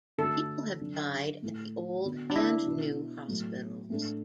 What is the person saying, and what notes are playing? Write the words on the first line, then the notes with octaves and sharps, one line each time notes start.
People have died at the old and new hospitals.
D3 A3 D4 F#4 A4
D3 F#3 D4
A2 A3 E4
D3 B3 F#4
D4
E4
B2 B3 D4 F#4
A2 F#3 A3
A2 A3 D4